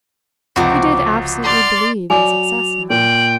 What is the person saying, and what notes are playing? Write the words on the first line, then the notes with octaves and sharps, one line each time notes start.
He did absolutely believe in success now.
C#2 C3 F3 F#4 D6
D5 C6 F6
F#3 D5 G#5 D6 F7
A#2 G5 F#7